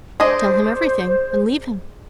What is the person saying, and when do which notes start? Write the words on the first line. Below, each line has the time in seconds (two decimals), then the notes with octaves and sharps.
"Tell him everything, and leave him."
0.20 G#3 D4 C5 D#5